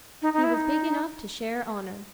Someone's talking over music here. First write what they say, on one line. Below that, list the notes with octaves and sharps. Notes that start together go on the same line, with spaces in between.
He was big enough to share honor.
D#4
D#4
E4
D#4